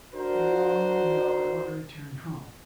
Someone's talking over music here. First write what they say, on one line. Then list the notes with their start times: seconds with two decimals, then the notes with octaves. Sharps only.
"No, no. I want to return home."
0.14 D4 F#4 A#4 C5